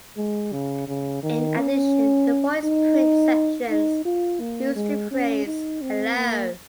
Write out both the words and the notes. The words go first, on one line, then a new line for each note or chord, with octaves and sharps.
In addition, the voice print sections use the phrase Hello.
G#3
C#3
C#3
D#3
C#4
D#4
D#4
F4
A#3
G#3
C#4
D#4
C4
A#3